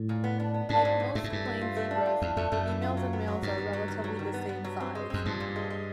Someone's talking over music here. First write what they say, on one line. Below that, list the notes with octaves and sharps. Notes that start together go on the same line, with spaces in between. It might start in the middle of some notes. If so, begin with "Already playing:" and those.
Like most plains zebras, females and males are relatively the same size.
Already playing: A2
A#2
B3
D4
B3
G#2 D4
A#2
A#2
G2 A3
G#2
G2 E3
A3
F4
A3
D4
F4
E2 D4
F2 A3
F#2 A3
E3
F4
F#3
B3
F#3
G2 D#3
B3
F#3
D#3
F#3
D#3
B3
B3
F#3
C4
G#3
F#2 C4
G2 F3
A#2
G#3
G#3